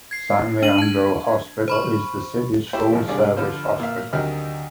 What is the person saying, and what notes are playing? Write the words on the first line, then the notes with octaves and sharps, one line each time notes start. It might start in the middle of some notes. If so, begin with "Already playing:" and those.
San Leandro Hospital is the city's full service hospital.
G#6 C7
D4 D#7 F#7
A5 G#6
C5 B5 C#6
A3 E4 G4 C5
G#1 F2 F3
C2 G2 D4 G#4 D5 F5
D3 F3 F4 B4 C5
A#2 E5 F5
D2 C3 D#3 F#3 D#5 F6